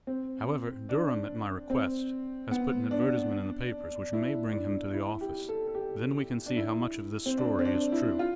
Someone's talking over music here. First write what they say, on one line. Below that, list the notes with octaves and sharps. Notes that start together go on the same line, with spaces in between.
However, Durham, at my request, has put an advertisement in the papers which may bring him to the office, then we can see how much of this story is true.
C4
D4
C4
B3
D4
E4
D4
E4
G4
A4
A4
G4
D4
E4
C4
D4
C4
D4
E4
F4